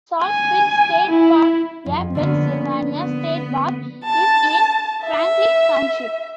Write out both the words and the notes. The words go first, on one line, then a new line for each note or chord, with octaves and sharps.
Salt Springs State Park, a Pennsylvania state park, is in Franklin Township.
G#5
E4
F2 F3
D3 A#3 B3 C#4
B3
A5
E5